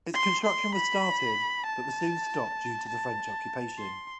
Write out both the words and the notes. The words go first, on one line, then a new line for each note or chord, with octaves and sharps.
Its construction was started, but was soon stopped due to the French occupation.
C6
C6
B5
A5
A5
C6